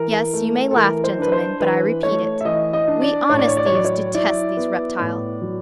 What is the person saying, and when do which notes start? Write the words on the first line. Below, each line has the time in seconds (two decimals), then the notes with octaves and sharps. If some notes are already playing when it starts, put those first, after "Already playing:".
Yes, you may laugh, gentlemen, but I repeat it: we honest thieves detest these reptiles.
Already playing: E3 A#4
0.33 A3
0.71 A4
0.75 E3 A#4
1.04 C5
1.18 D4 B4
1.32 C5
1.60 E3 B4
2.03 A3 C#5
2.41 E5
2.45 E3 D#5
2.73 D#5
2.88 D4
3.02 D5
3.30 A2 C#5
3.39 D5
3.48 C#5
3.57 D5
3.66 C#5
3.72 F#3 D5
3.85 C#5
4.15 E4 D5
4.57 B3
4.99 A2
5.42 F#3